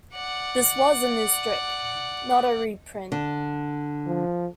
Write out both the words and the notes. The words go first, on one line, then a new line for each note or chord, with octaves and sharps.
This was a new strip, not a reprint.
D5 F#5
D3
F3